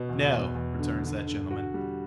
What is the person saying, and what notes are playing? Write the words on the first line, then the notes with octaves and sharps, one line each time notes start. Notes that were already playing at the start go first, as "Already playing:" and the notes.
'No,' returns that gentleman.
Already playing: B2
E2
E2
E2
D3
D3
D3
F#4
G3